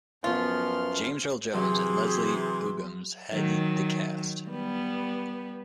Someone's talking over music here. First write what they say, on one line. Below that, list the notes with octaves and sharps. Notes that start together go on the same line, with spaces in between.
James Earl Jones and Leslie Uggams headed the cast.
F#2 F3 B3 F4 C#5 C6 F6
C3 E3 F#3 G#4 C6
D#3 F#3
G3 B3